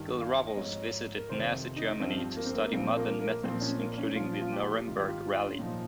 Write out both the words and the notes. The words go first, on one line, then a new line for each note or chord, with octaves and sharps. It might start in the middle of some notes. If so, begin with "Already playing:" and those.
Gil Robles visited Nazi Germany to study modern methods, including the Nuremberg Rally.
Already playing: G2 D#3
F5
D#5
G#2 F3 C#5
A#4
F2 C3 D#3 C5
D#4
G2 F3 C4
A#3
C4
A#3
A#2 F3 C4
A#3
A#3
A#2 F3 C4
C#4
A#3
C#4
A#2 F3 F4
F4
G4
G#2 D#3 F4
G4
F4
C#4
A#2 F3 D#4